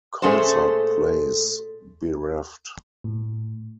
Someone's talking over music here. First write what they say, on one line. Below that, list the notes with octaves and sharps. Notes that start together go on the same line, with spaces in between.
Concert place: Bereft.
A#2 A3 C#4 G#4 A4 C5
A2